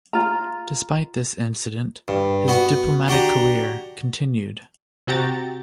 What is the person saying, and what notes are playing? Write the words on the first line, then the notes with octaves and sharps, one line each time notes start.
Despite this incident, his diplomatic career continued.
F4 A#5
G2
B3 F#4
D4 F#4 G4 A#5
C3 F#4 G4 A#5 A6